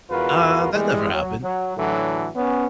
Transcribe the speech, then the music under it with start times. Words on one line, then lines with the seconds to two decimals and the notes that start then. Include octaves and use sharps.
"Uh, that never happened."
0.10 E2 F4 F#4 A#4 B4
0.72 E3 G3 G#3
1.12 F#3
1.42 F#3
1.77 A2 D3 E3 F#3
2.35 B3 C#4